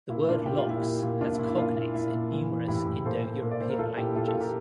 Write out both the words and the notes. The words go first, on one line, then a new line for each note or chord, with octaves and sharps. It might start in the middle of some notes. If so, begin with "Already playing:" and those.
The word "lox" has cognates in numerous Indo-European languages.
A#2 E4
A#2 D4 F4
A#2 G4
F4
A#2 E4 G4
A#2
A#2
A#2 D4 F4
E4
A#2
E4
A#2 D4 F4
A#2 E4
A#2 E4
A#2
E3
E3
A2 E4 G4
A2
A#2 A4 C5
A#2
A#2
D5
A#2 C5
A#4
A#2 F4 A4
A#2 E4 G4
A#2 F4 A4
F4 A4
A#2
G4 A#4